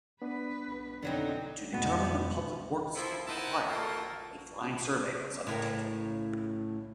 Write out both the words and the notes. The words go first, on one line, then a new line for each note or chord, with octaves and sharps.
To determine the public works required, a flying survey was undertaken.
B3 D4 B4
F2 B2 D3 F#3 C4 D#4
F2 G#2 B2 B3 F#4
F3 E4
D#4 E4 A#4 C5 F#5 A5
A3 A#3 F4 F#4 A4 A#4
A2 C#3 A#4